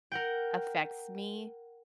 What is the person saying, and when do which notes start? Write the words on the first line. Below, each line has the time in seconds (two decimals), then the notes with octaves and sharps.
affects me,
0.12 A#4 F#5 G5